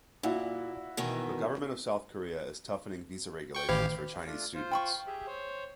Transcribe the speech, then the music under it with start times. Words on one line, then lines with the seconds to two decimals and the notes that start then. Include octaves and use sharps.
The Government of South Korea is toughening visa regulations for Chinese students.
0.23 A#2 E4 F#4
0.97 B2 D#3 E3
3.55 G5 C#6
3.69 A1 D#3 G4 F5
4.26 A3 D4 F4
4.54 F4 C5
4.71 G5 B5 C#6
5.07 G4 G#4 E5
5.27 C5 C#5